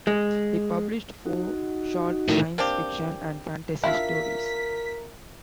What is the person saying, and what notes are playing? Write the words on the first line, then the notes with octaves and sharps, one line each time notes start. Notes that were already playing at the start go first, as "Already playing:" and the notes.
He published four short science fiction and fantasy stories.
G#3
D#4 F#4
A2 D#3
A#3 C4 D4 G4
D4 E4 F4 A#4 E5 F5 B6